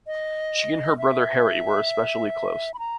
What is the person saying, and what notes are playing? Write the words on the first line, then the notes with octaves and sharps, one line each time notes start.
She and her brother Harry were especially close.
D#5
E5
B5
A#5